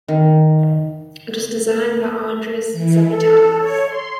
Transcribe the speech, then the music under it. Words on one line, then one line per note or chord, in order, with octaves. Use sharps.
It was designed by Andreas Zapatinas.
D#3
E3
A4
C#5
C6